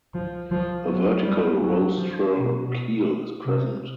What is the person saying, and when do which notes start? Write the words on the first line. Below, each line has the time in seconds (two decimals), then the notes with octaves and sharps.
A vertical rostral keel is present.
0.15 F3
0.51 F3
0.87 F#3
1.25 G3
1.61 F#3
1.98 F3
2.35 B2
3.46 C3